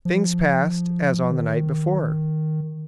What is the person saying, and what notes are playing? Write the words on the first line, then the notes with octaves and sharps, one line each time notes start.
Things passed as on the night before.
F3
D#3